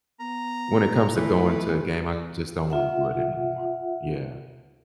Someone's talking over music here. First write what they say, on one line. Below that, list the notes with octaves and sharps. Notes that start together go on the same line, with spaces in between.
when it comes to going to a game, I just don't wanna do it anymore. Yeah.
B3 A#5
E3 A3 F4 B4
F4 E5 F#5